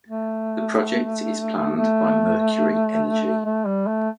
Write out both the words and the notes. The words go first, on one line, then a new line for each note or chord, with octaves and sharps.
The project is planned by Mercury Energy.
A3
A3
A3
G3
A3